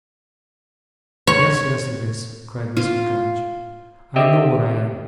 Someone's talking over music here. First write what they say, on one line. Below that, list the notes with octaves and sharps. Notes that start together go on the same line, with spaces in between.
'Yes, yes, it is,' cried Mrs. Gummidge. 'I know what I am.
C#5
F4
C4 G4 D#5 E5